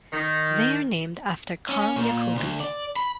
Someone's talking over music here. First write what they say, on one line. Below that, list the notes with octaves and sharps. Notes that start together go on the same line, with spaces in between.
They are named after Carl Jacobi.
D#3
C#4
A#2
D2
D5
B5